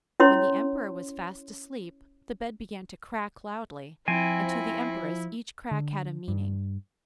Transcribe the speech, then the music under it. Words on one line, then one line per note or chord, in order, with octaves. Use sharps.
When the emperor was fast asleep, the bed began to crack loudly, and to the empress each crack had a meaning.
C#4 E4 C#5 C6
F3 C4 E4 G#5
D3
G2